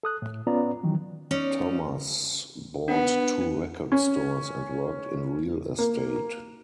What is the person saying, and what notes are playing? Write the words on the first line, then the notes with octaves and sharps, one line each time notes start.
Thomas bought two record stores and worked in real estate.
A4 D#6 F#6
A2
B3 C#4 F4 B4 D5 A#5
D#3 E3 F#3
C#4 D#4 D5
B3 D4 F#5
C#4
A#3